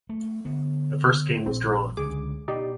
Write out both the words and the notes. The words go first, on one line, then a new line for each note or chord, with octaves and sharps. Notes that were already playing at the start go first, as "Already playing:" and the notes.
The first game was drawn.
A3
D3 B3
A#1 C4
C#2 D3 G#4 D6
B2 D#4 G4 D5